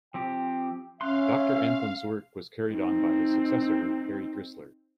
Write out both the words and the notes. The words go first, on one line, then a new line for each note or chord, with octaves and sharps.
Doctor Anthon's work was carried on by his successor, Henry Drisler.
F3 C4 G4 G5
C#4 E5 F5 C6 F#6
C4 D#4